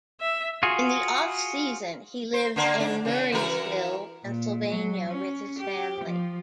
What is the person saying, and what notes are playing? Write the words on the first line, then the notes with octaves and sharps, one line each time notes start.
In the offseason, he lives in Murrysville, Pennsylvania with his family.
E5
F4 F#4 G#4
C5
D3 A#3
G#2 D4
C#3 E3
E3 F#4 A#4
A#2
F#3
C#4
G4
F3